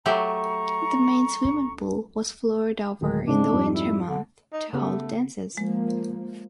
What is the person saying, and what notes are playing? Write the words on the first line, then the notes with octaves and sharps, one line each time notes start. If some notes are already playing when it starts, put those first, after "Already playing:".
The main swimming pool was floored over in the winter months to hold dances.
F#3 A3 G4 A#5 C#6
D1 D#3
G#2 C#3 C4 D4
F2 G#2 G3
E4
D3
D#4
C#3 A3 B3 G4
F3 G#3 A#3